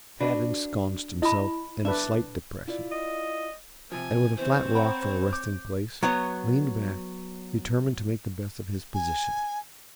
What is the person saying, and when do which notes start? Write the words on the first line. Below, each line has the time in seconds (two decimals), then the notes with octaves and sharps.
Tad ensconced himself in a slight depression, and with a flat rock for a resting place, leaned back determined to make the best of his position.
0.20 D4 F#4 B4
1.22 E4 D#5 B5
1.85 D4 B4 E5
2.67 E4 F4 D5
2.92 D#5
3.91 C3 F3 G#5
4.38 E3 C4 C5 C#5
4.75 F#5 G5 A#5 B5
5.33 D6 G6
6.03 F#3 B3 C#5
8.94 G#5